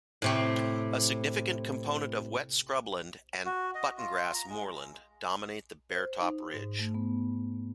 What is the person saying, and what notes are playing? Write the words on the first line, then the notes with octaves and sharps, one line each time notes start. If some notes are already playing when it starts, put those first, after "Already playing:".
A significant component of wet scrubland and buttongrass moorland dominate the Baretop Ridge.
A2 C3 C4
F#4
D#5
F4
A#5
G#3
C5
D#4
G#2
A3
B3